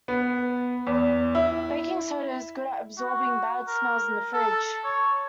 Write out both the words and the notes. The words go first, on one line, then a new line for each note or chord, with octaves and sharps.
Baking soda is good at absorbing bad smells in the fridge.
B3
E2
E4
F#4
A#4
A4
C#5